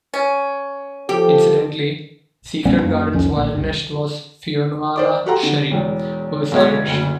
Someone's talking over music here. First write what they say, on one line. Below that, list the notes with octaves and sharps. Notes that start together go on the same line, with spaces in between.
Incidentally, Secret Garden's violinist was Fionnuala Sherry, who is Irish.
C#4
F3 G4 A4
A#1 G3 B3 C#4
F#2 A#3
C2 F2 D#3 C#4
A#1 A#2
F#1 C2
C5 D5 D6
F#4 G4 A4 F#5 A#5 C6
D3
E1 E2
B1 B2 G#3 F#4 C#5 G#6
F#1 D2